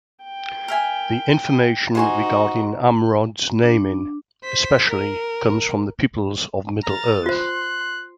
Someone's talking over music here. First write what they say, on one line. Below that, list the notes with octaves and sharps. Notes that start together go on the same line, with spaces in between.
The information regarding Amrod's naming, especially, comes from "The Peoples of Middle-earth".
G5
A#4 E5 G#5
D#4 F#4 C5 G#5 C6
D4
C5 B6
A#4
A#5 F6 A6
F4 C5 C6 F#6